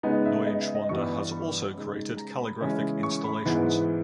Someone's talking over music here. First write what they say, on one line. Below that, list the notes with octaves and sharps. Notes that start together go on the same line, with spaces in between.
Neuenschwander has also created calligraphic installations.
C#3 G#3 B3 D#4
E5
D#5
E5
D#5
G2 E3 G3 B3 C#6
B5
C#6
B5
C#3 G#3 D#4
A#5
B5
C#3 E3 G#3 C#4 E4
C#6
B5
G#2 E3 G#3 B3 E4